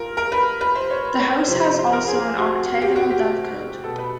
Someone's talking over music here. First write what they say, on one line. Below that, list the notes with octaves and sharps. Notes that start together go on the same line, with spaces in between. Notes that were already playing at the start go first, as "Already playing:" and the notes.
The house has also an octagonal dovecote.
Already playing: A#2 A#4
A#4
B4
B4
C5
C#5
C#5
C3 F3 C5
C5
C5
A#4
G#4
F#4
F#4
G4
F#4
G4
B2 A4
B4